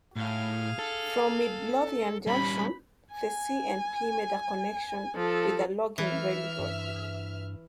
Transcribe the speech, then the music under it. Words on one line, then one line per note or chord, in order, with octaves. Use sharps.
From Midlothian Junction, the C and P made a connection with a logging railroad.
A2 G#4 F5
A4
G3 C#4 B5
G#5
F3 A4
E3 E5 F6
G2